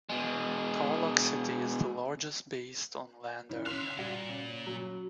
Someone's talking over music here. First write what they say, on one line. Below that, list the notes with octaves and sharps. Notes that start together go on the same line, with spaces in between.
Tarlac City is the largest based on land area.
B2 G#3
C#3 E3
C#3 E5 F5 C6 F#6
A#2 G3 F#4
C#3
F#3